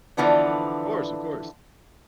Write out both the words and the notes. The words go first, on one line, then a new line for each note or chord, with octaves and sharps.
Course, of course.
D3 E3 F3 B3 D4